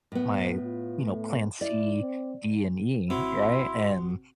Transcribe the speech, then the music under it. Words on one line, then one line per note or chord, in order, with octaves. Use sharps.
my, you know, plan C, D, and E, right? And,
A2 B3
F4
A3
E4 D5
C4
G#1 F#3 C4 E4 C6